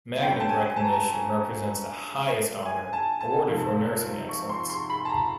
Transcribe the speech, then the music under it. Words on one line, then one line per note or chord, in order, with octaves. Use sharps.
Magnet recognition represents the highest honor awarded for nursing excellence.
F#2 D3 G3 G5
A5
G#5
A5
A#5
A5
G#5
A5
A5
F2 C3 D#3
C#6
C6
C6
B5
A5
A#5